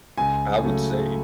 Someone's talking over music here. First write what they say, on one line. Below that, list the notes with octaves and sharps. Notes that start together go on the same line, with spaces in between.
I would say,
C#2 G#5
C#3 F#3 A3